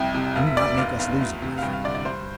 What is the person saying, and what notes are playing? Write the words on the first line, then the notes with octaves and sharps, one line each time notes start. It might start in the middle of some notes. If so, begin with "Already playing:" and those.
"Do not make us lose it, my friend."
Already playing: C2 F2 G5
C3
E1 F5
E5
D2 D5
F1 F5
E2 F5
D2
C3
F5
G2 G5
F5
D3 D5
D5
G2 C5